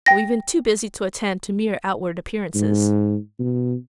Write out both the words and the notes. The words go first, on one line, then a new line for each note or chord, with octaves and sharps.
We've been too busy to attend to mere outward appearances.'
G5 A#6
G#2
B2